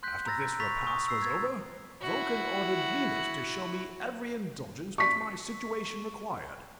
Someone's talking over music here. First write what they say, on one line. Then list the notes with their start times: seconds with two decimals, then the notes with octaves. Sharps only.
After this repast was over Vulcan ordered Venus to show me every indulgence which my situation required.
0.03 C6 F#6 G6 B6
0.26 A#5 B5 E6 A6 A#6
0.60 B5 C#6 A6 B6 F7
0.87 C#6 D#6
1.08 E6 C7
1.22 G#6 A6
2.01 E4 F#4
4.98 C#6 B6